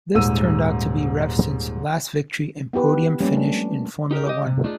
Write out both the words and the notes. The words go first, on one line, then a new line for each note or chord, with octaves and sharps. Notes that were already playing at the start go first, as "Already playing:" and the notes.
This turned out to be Revson's last victory and podium finish in Formula One.
D#1 G#2 E6 D#7
B3 E4 G4 B4
F3 G3 G#3 A#3 C#4
A3 D4
D#4 G4 A#4
G4 D#5
C3
A3 D4 D#4 F4 G#4